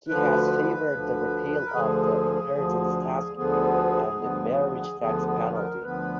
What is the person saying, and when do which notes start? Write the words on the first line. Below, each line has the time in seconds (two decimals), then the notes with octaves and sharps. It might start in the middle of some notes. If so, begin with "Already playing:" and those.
He has favored the repeal of the inheritance tax and the "marriage tax penalty".
0.08 D2 D3 F3 B4
0.91 D2 D3 F3
1.65 A#4
1.73 D2 D3 F3 G#4
2.54 D2 D3 F3
3.36 D2 D3 F3 B3 G#4
4.18 D2 D3 F3 B3
5.00 D2 D3 F3 B3 G#4
5.28 G#4
5.55 A#4
5.82 D2 D3 F3 B3 B4